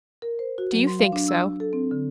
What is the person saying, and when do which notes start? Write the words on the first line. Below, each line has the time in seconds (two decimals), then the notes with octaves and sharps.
"Do you think so?"
0.22 A#4
0.39 C5
0.58 F#4
0.72 F#3
0.87 C6
0.99 F5
1.12 D4
1.28 E6
1.60 A4
1.73 C4
1.91 D3